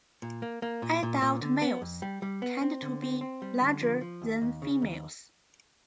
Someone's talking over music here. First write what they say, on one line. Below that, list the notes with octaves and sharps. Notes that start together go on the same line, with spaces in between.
Adult males tend to be larger than females.
A#2
A#3
A#3
A#2
A#2
A#2
D3
B3
F2
G3
G3
B3
C4
D3
C4
C4
G3
D3
F3
F3
D#2
D#2
C#3
D#2